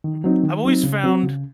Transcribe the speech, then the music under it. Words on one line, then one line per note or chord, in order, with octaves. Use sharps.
Mm, I've always found
D#3
F#3 C4 D#4
D#3
F#3 C4 D#4
C#3
F#3 C4 F#4
C#3